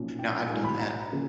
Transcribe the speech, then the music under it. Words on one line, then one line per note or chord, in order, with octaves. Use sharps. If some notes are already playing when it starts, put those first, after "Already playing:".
now I've done that
Already playing: B1 A#2 F3 A#3 C#4
G5
B1 A2 F#3 A#3 D4 G#5
B5
A#5
C#3 F3 A#3